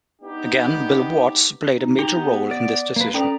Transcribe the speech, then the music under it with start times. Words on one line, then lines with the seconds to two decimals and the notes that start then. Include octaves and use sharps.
Again, Bill Watts played a major role in this decision.
0.22 B3 D4 D#4 G4
1.77 D#4
1.99 G4 A#5
2.16 B3
2.51 D5
2.96 A#3 B4
3.14 C#4 A4 D5 A#5 D#6